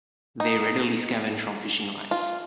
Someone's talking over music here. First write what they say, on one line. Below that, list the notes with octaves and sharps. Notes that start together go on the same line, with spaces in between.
They readily scavenge from fishing lines.
D#4
F4